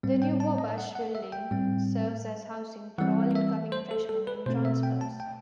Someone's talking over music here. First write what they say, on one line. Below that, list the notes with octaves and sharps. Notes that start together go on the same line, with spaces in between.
The new Wabash building serves as housing for all incoming freshmen and transfers.
A2 G3 C4
G5
A5
D#5
F#5
F#5
E5
G5
A2 G3 C4
E3 G3 C4 F#5
E5
C5
A4
A4
B4
B2 A3 C4 C5
E5
G5
A5
G5